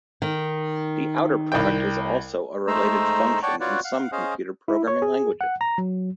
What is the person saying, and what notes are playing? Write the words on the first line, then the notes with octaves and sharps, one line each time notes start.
The outer product is also a related function in some computer programming languages.
D#3
C2 G5
G#3 A3 D#4 C5 A#5 E6
C#5 D5 F#5 G5 A5 C#6
F4 F#4 B4 C#5 D5 F#5
F5 F#5
C#4 G#4 C5 D#5 F5
E4
C#5
G#4
F#5
A#5
F#3